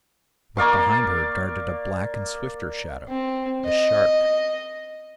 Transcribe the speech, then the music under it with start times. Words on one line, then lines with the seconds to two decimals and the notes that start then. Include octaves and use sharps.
But behind her darted a black and swifter shadow--a shark!
0.57 A#3 D5 F5 C#6
3.09 C4
3.65 D#5